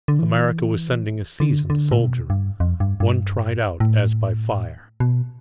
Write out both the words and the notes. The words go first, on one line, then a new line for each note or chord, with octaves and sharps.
America was sending a seasoned soldier, one tried out as by fire.
D3
E3
D3
D3
A2
B2
G2
F2
G2
G2
A2
B2